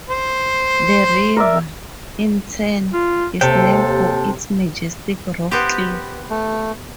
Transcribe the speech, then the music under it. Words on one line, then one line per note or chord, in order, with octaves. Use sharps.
The river, in turn, is named for its majestic rock cliffs.
C5
A#4 D5 E5
F4
D#2 C3 A4 G5
B3 C4 G4
A3